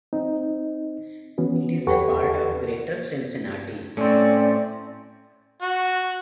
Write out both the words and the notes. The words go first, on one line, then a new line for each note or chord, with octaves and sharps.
It is a part of Greater Cincinnati.
C4 D#4
E3 B3 C#4 F#4
E2 G4 A4 B4 F#5 C#6
A2 A3 C4 C#4 D5
F#4